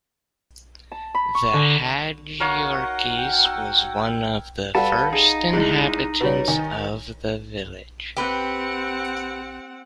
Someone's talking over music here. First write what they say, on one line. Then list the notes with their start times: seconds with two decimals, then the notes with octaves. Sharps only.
The Hadjiyiorkis was one of the first inhabitants of the village.
0.92 A5
1.15 B5
1.35 C#6
1.54 D3
2.40 D#4 F#4 A#4 C#5 F5 F#5 C#6
3.17 G5
3.45 E6
4.75 G3 A4 B4 F5 F#5 A5
5.13 D#4 G#4
5.53 C2 G#3 E4 G#4
6.20 B2 G3 B4 C#5
6.48 D#3 G#5
8.17 C4 G4 B4 F#5